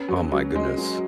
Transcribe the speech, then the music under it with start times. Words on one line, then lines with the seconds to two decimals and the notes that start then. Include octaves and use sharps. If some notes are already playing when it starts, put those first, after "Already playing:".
Oh my goodness.
Already playing: B3 C#4
0.08 F#3
0.32 F#3 C#4
0.55 G#3
0.78 F#3